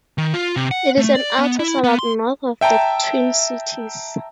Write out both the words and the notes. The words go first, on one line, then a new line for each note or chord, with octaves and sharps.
It is an outer suburb north of the Twin Cities.
D#3
F4
C3
F#5
A3
D5
B3
E4
B3
C6
E5 G5 A5 A#5